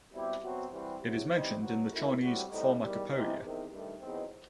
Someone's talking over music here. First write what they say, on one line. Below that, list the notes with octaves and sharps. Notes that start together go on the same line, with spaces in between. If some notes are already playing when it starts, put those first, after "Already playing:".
It is mentioned in the "Chinese Pharmacopoeia".
B2 G3 C4 E4 G4
B2 F#3 C4 F#4
E3 G3 C4 F#4
E2 C3 F#3
E3 G3 C4 D#4
G2 F#3 B3 F#4
F#2 D#3 A3 E4
A2 G3 C4 F#4
A2 G3 C4 D#4
E2 D#3 G3
C3 E3 B3 D#4
E2 C3 D#3
G2 D#3 A3
E2 B2 F#3 C4 D#4